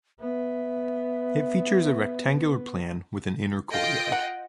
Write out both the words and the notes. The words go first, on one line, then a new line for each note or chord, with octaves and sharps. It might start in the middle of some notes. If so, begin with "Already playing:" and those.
It features a rectangular plan with an inner courtyard.
B3 E5
F4 A4 D#5 F5 G5
F#5